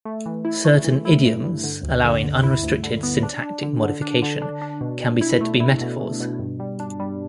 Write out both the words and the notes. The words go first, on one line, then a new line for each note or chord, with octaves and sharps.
Certain idioms, allowing unrestricted syntactic modification, can be said to be metaphors.
A3
E3
E4
A3
E3
E4
G2
G2
D3
D2
D3
D3
E4
D2
D3
B3
D4
D4
D3
D3
D4
D3
D4
D4
B2
B2
E4
A3
E4
B2
B2
B2
G2
G3
D4
G3